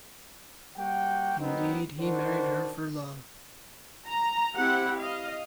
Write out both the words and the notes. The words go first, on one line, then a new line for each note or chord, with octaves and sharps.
Indeed, he married her for love.
G3 A#3 F#4 F#5 G5
F#2 B3 C4 D#4
D#3 D4 F#4 C5
A#5
C4 E4 G4 F#5
D#5 F5